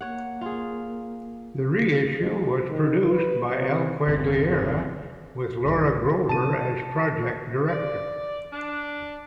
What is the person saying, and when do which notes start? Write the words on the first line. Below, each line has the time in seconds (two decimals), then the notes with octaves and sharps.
The reissue was produced by Al Quaglieri, with Laura Grover as project director.
0.01 A#3 C#5 F#5
0.41 F4 G#4
2.19 F2
2.69 D#3
3.11 B4
3.49 C3
4.08 G1 E2 C3
5.65 B1 G2
6.29 C3 C4 A5 D#7
7.69 D5
8.53 D4